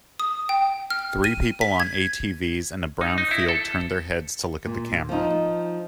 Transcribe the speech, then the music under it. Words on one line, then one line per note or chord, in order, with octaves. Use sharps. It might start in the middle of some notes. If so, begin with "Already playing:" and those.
Three people on ATVs in a brown field turn their heads to look at the camera.
D#6
G5
F6
D#7
B6
G#6
D#4
D#4
E4
A4
A#2
F3 D#4